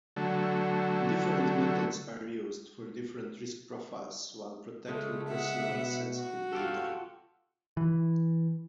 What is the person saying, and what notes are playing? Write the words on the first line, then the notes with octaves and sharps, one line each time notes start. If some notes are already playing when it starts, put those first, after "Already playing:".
Different methods are used for different risk profiles while protecting personal and sensitive data.
D3 F#3 A3
C#3 G#3 A3
E5 F#5
B2
F#4
F4 G4 A4
E3